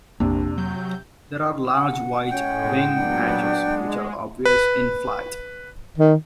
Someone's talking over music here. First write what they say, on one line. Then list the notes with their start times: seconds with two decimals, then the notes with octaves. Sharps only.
There are large white wing patches, which are obvious in flight.
0.20 A#1 F2 C3 A#3 D4
0.58 F#3 G6
1.74 F#5
2.31 A2 G#3 C#4 G5
2.94 A#2 F#3 B3 D4
3.61 G#3
4.45 B4
5.98 D#3